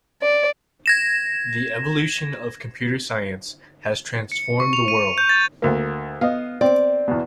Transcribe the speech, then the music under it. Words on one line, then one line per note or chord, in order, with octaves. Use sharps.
The evolution of computer science has transformed the world.
D5
G#6 A#6 E7
C#7
C#6
F7
D#7
G6
A6
D2 A#3
B3 D#5 F5
C4 D5 G5
E2 B2